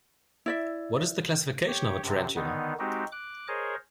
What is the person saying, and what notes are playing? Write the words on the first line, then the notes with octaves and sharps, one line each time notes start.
What is the classification of a Tarantula?
E4 D5 E5
G4 C#5
F#2 C3
D3 D#3 B3 D#4
G#3 C4 D#4 F#4 G4
D6 F#6
G#4 A#4 C5 C#5 D#5